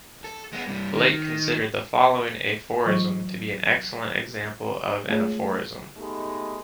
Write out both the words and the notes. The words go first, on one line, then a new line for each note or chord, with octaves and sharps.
Blake considered the following aphorism to be an excellent example of an aphorism.
A4
G#3 B3
G2 C3
D#3
E3 F#3 F4 C5 D#5 C#6
G#3 A3 C4 F4 G#4 C#5
G#3 A3 B3 D#4 G4 A4